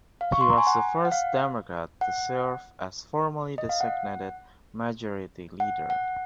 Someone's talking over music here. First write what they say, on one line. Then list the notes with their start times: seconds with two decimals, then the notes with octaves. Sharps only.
He was the first Democrat to serve as formally designated Majority Leader.
0.21 F5
0.32 C#6
0.41 C6
0.49 A#5
0.58 G#5
0.67 F#5
1.05 F#5
1.12 F5
2.01 F#5
3.58 D#5
3.69 F5
3.81 F#5
5.60 F#5
5.90 F#5